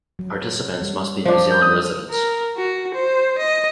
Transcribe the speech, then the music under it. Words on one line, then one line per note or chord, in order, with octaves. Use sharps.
Participants must be New Zealand residents.
F#3
G3
F3 D4
G6
D#6
A#4
F#4
C5
D#5